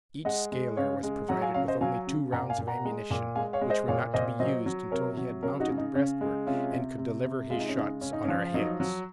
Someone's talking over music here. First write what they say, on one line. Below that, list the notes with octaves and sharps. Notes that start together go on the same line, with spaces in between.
Each scaler was provided with only two rounds of ammunition, which were not to be used until he had mounted the breastwork and could deliver his shots on our heads.
G#3 D#5 F#5
G#3
C#3 C#5 F5
G#3
F#3 F#5 A#5
F5 G#5
C#3 C#5 F5
C5 D#5
F#3 F5 G#5
C#3
A#2 F#5 A#5
F5 G#5
A#2
F#5 A#5
G#3
A#2
G#3 F5 G#5
C#5 F5
G#3
C5 D#5
A#2 C#5 F5
A#2 C5 D#5
F#3 C5 D#5
F#3
C3 A#4 C#5
F#3
C#3 A#4 C#5
D#4 F#4
C#3
D#4
C#3 C#4
G#3
C3 C#4 F4
C3
C3
C3
G#3 F4
D#4
C#4
C#3 D#4
C#3 C#4
D#4
C#4
F3
F#3 D#4
F#3